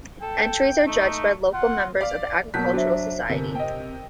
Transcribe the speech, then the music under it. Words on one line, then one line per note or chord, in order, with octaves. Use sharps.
Entries are judged by local members of the Agricultural Society.
A4 G5
A3 D#4
F4 F#5
D5 F5 B6
B2 F#3 A#3 A5 F#6 G6 B6
F#3 D4 F#4 C5 E5
G1 C3 A#4 B6
D#5 G5